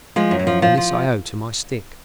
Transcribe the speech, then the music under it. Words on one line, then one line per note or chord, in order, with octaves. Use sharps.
And this I owe to my stick.
F3 G#3
F#2
F#3
F3
F3
F3